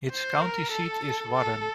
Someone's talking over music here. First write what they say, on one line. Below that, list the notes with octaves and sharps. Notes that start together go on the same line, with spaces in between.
Its county seat is Warren.
C5
A#4
A4
A4